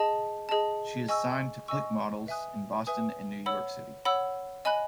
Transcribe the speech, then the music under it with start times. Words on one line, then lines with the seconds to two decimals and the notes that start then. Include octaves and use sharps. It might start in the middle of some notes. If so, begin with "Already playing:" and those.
She is signed to Click Models, in Boston and New York City.
Already playing: G#4 D#5 A5
0.49 G#4 D#5 A5
1.09 D#5 G#5 C#6 E6
1.68 D#5 G#5 C#6 E6
2.27 B4 E5 G#5 D#6 F#6
2.87 B4 E5 G#5 D#6 F#6
3.46 C#5 F#5 B5 E6
4.05 C#5 F#5 B5 E6
4.65 D#5 G#5 B5 F#6